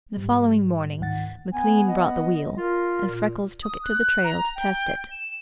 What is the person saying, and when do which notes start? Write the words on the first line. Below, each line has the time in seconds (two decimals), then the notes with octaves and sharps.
The following morning McLean brought the wheel, and Freckles took it to the trail to test it.
0.17 G#2 G3
1.00 C#2 G#2 D#3 F#5 A6
1.52 B3 G#5
1.87 D#5
2.58 F4 A#4
3.06 A#2
3.63 D#6
3.83 F#6
4.24 A#5
4.56 G5
5.12 E7